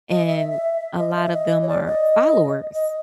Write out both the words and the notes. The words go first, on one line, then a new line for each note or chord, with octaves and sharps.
and a lot of them are followers,
D#5
E5
E5
E5
D#5
E5
E5
D#5
C#5
D5
D#5
D#5